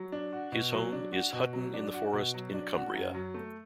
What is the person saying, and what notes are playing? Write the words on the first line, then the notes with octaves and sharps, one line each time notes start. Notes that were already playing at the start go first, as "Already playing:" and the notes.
His home is Hutton-in-the-Forest in Cumbria.
Already playing: F#3
D4
F#4
B2
F#3
D4
F#4
B2
F#3
D4
F#4
B2
F#3
D4
F#4
F#2
F#3
A3